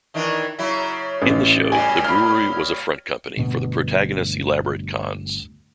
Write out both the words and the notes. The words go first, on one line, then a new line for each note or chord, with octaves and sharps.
In the show, the brewery was a front company for the protagonists' elaborate cons.
D#3 E3 D4
C#3 F#3 E4
A1
A#2 C#3 G3 G#5
B5 F6
G1 D2 B2 B3